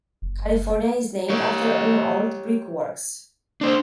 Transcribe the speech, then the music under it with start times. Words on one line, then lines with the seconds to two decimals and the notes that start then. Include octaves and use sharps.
California is named after an old brickworks.
0.22 F#1
1.30 G4 C#5
3.61 D4 C5